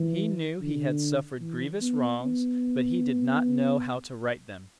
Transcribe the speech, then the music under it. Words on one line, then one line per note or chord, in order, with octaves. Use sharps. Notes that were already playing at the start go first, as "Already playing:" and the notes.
He knew he had suffered grievous wrongs, but he did not know how to right them.
Already playing: E3
D3
E3
B3
B3